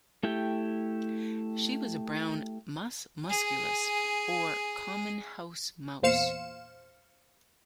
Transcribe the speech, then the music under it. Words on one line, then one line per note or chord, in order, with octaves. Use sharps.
She was a brown "Mus musculus" or common house mouse.
A3 E4 G4 G5
G#4 G#5
E2 A#2 C5 F5 C#7 E7